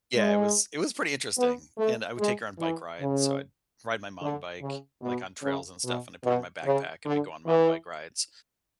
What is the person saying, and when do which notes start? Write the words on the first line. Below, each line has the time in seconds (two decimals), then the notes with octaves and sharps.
Yeah, it was it was pretty interesting, and I would take her on bike rides, so, I'd ride my mountain bike, like, on trails and stuff, and I'd put her in my backpack, and we'd go on mountain bike rides.
0.16 G#3
1.38 B3
1.78 A3
2.19 G#3
2.59 E3
2.99 C#3
4.21 D3
4.62 C#3
5.03 B2
5.43 C#3
5.84 B2
6.24 B2
6.65 C#3
7.05 D3
7.46 E3